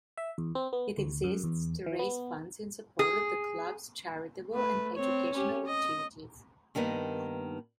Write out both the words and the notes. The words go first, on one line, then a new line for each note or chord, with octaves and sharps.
It exists to raise funds in support of the Club's charitable and educational activities.
E5
E2
C4
B3
D2
F#2
E2
E3
B3
G#4
A3 B4
C4 C#5
C#4 G4
D#5
G2 D#3 A#3 B3 D#4